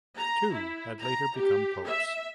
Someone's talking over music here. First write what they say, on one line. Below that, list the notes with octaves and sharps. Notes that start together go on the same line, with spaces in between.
Two had later become popes.
A#5
E4
A#5
G4
E5